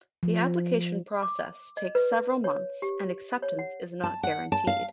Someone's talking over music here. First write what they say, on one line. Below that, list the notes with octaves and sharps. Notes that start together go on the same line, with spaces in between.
The application process takes several months, and acceptance is not guaranteed.
F3
D6
D#5
B4
C#5
G4
C#5
F#5
A5
F#5
A5
F5